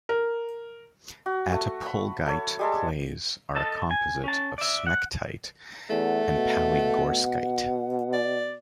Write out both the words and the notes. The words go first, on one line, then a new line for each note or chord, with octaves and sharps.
Attapulgite clays are a composite of smectite and palygorskite.
A#4
F#4
A3
B5
A4 C#5
G3 G#3 A4
A4 D#5 A5
G#5
C#4 A5
D5 E5
F#5
E2 A3 F#5
B2
D5